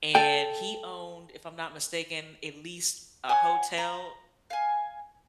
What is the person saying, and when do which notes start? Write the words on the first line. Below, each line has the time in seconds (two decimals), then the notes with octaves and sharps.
and he owned, if I'm not mistaken, at least a hotel
0.15 A4 G5
3.29 C#5 F#5 G#5
3.78 A#5
4.50 F5 G#5